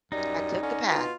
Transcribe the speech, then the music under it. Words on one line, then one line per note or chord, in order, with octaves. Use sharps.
I took the path
F#2 G3 D#4
D3 C#4
B2 F4